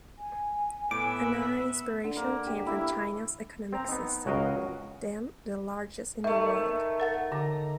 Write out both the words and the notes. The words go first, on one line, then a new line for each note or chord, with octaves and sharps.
Another inspiration came from China's economic system, then the largest in the world.
G#5
A2 B3 E5 D6
D3
A#3
G4
E4
C4 A#5
B3 D#4
C#2 F#4 A#4 D#5 F5
D#3 A3 A#4 E5
A#4 F#5 A6
D3 A#5